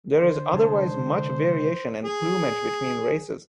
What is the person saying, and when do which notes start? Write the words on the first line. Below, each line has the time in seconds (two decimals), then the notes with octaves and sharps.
There is otherwise much variation in plumage between races.
0.20 D3 C5
0.54 C3 G#3 A5
2.04 G#4